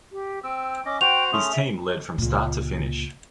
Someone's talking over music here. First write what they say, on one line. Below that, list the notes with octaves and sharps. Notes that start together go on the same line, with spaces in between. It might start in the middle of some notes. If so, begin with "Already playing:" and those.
His team lead from start to finish.
G4
C4 G5 E6
C#4 D#5 D6
F#4 C5 F#5 G5 F7
A3 C#4 G#4 C6
E5
C#2 A#2